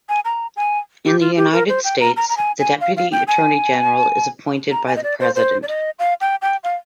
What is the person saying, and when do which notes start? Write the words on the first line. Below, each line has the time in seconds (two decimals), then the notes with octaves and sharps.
In the United States, the Deputy Attorney General is appointed by the President.
0.09 G#5
0.25 A#5
0.56 G#5
1.05 G4
1.20 F4
1.37 G4
1.52 A#4
1.69 C5
1.84 G5
2.00 A#5
2.17 A#5
2.29 A#5
2.37 G#5
2.59 G#5
2.81 F5
2.97 F5
3.12 G5
3.28 G#5
4.71 A#5
4.87 G#5
4.96 D#5
5.03 D5
5.20 C5
5.35 C5
5.62 D5
5.68 D#5
5.99 F5
6.21 G5
6.42 G5
6.64 F5